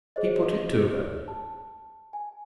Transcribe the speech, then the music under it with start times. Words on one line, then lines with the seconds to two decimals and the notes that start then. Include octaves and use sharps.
He put it to her.
0.16 G#4 C5 C#5 D#5
1.28 A5
2.13 G#5